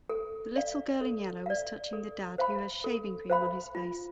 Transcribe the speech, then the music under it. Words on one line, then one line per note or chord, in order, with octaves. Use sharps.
The little girl in yellow is touching the dad who has shaving cream on his face.
A4
D5 F5
A4
D5 F5
A4
C5 F5 B5
A4
C5 F5 B5
F4